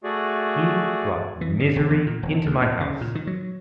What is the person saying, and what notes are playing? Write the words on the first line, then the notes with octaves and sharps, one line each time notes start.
He brought misery into my house.
A3 F#4 G#4 D5
E3
C#3
E1
E2
A#2
E1
D2
A#2
C#3
A#2
D#3
F#3